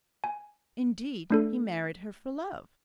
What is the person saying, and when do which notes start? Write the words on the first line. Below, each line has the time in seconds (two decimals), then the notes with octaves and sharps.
Indeed, he married her for love.
0.24 G#5
1.30 A3 D4 A4